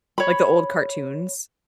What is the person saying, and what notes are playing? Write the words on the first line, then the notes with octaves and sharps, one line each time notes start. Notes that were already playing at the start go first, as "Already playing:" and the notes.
Like, the old cartoons.
C#5 B5